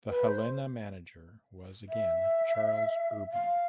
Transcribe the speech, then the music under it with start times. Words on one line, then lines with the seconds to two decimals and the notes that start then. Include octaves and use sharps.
The Helena manager was again Charles Irby.
0.09 B4
0.27 C5
1.89 E5
3.32 F5